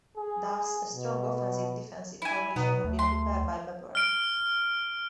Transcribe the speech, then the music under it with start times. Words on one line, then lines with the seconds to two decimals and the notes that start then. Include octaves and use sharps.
Thus, a strong offensive-defensive formation had been prepared by Babur.
0.17 G#4
0.94 B2
2.22 E4 G#5
2.56 B2 B3 D#4
2.84 D2 A3
2.99 C6
3.95 F6 D7